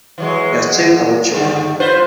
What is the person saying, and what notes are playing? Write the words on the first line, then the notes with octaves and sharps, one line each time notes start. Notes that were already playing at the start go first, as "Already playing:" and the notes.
He has two adult children.
E3 F#3 G#3
G2 D3 D#3
F4 B4 C5